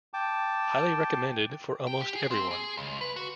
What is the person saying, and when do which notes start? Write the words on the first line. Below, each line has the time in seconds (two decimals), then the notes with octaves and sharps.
Highly recommended for almost everyone.
0.14 G5 A5 D6
1.87 G5
2.01 G4
2.15 G#4
2.31 C4
2.51 G#4
2.77 C#2
3.01 B4
3.16 F#4